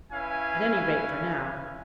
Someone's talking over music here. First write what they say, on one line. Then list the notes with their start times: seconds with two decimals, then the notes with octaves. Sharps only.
"At any rate, for now."
0.12 C#4 E4 B4 F5 G#5